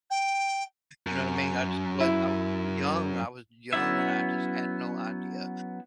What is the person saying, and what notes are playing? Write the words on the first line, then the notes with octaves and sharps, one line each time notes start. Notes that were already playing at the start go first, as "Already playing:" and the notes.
you know what I mean? I just was I was too young, I was young and I just had no idea,
G5
F#2
E4
F#3 B3 C#4 E4 E5